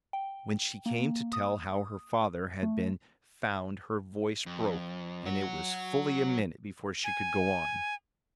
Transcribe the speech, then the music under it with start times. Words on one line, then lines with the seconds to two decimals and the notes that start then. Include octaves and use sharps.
When she came to tell how her father had been found her voice broke and it was fully a minute before she could go on.
0.13 G5
0.86 A#3
1.33 D#6
2.63 A3
4.46 F2
5.26 F#3 F#4
7.04 G#5